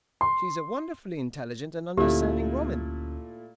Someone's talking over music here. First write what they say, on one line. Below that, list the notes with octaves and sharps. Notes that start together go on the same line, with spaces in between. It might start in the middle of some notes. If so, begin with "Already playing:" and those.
She is a wonderfully intelligent and understanding woman.
C6
D2 A#2 A3 C#4 E4 G4